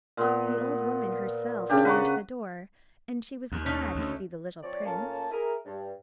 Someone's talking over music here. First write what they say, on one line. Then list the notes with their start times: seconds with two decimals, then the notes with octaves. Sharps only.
The old woman, herself, came to the door, and she was glad to see the little prince.
0.17 A#2 B3
1.69 C#3 D4 G4
1.85 B4 F#5 A#5 C#6
3.52 D#2
3.66 A3 C#4 D#4
3.95 D2
4.63 F3 C4 C#5 D5
4.85 A2 A#3 C#4 F4 A5
5.31 E4 G#4 A#4
5.65 G2